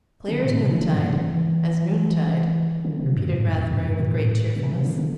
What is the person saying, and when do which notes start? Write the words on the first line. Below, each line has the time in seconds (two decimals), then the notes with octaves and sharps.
"Clear as noontide--as noontide," repeated Rathbury with great cheerfulness.
0.28 D3
0.43 A2
0.57 C3
0.71 E3
0.82 D3
0.93 G2
1.04 C3
1.14 E3
2.85 D3
2.99 C3
3.14 G2
3.28 A2
3.42 G2
3.56 E2
3.71 G2
3.85 G2
4.00 A2
4.13 A2
4.56 C3
4.71 C3
4.85 D3
4.99 D3